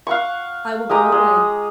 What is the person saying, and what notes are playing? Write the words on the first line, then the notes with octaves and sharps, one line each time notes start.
"I will go away."
F5 F#5 C#6
G#3 G4 A#5 D#6
G#3